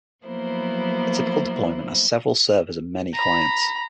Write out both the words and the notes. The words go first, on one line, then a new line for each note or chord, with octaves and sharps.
A typical deployment has several servers and many clients.
F3 F#3 A#3 B3 E4 C5
A#5 B5